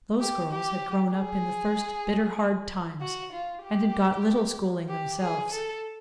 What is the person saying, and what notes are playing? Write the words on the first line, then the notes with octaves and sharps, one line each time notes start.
Those girls had grown up in the first bitter-hard times, and had got little schooling themselves.
G4
G4
G#4
F#4
F4
G4
G4
G#4
A4